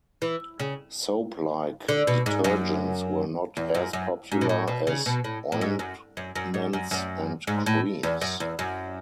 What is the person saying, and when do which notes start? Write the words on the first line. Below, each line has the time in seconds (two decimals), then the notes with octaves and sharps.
Soap-like detergents were not as popular as ointments and creams.
0.22 E3
0.60 C#3
1.89 D3
2.07 B2
2.26 G#2
2.44 F#2
3.57 E2
3.75 F#2
3.93 F#2
4.32 G#2
4.41 B2
4.49 A2
4.68 B2
4.87 C#3
5.06 B2
5.24 A2
5.52 A2
5.61 G#2
5.79 F#2
6.17 F#2
6.36 F#2
6.54 G#2
6.73 F#2
6.91 F#2
7.47 G#2
7.66 A2
8.03 E2
8.21 F#2
8.40 E2
8.59 F#2